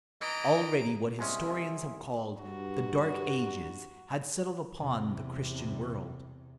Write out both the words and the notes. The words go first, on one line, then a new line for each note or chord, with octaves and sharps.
Already what historians have called the Dark Ages had settled upon the Christian world.
E3 D#5 A#5 D7
C2 G#3 C#4 E5 G#5 C6 D#6
G2 F#4
E2 C3